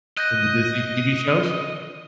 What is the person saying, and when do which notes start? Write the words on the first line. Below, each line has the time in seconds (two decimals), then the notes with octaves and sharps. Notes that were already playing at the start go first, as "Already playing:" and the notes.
From the Disney TV shows?
0.17 D#5 F#6 G6 A#6